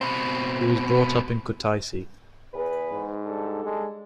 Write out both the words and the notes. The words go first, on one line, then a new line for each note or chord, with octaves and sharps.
He was brought up in Kutaisi.
B2 C4
E2 G#4 B4
G#2
G3 D4 A4
G#3